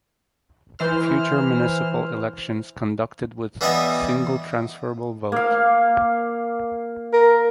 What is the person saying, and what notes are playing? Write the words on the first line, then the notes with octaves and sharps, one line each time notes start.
Future municipal elections conducted with single transferable vote.
E3 C5 F6
E3 G3 B3 E4 D#5 E5
A#3 F5
A#4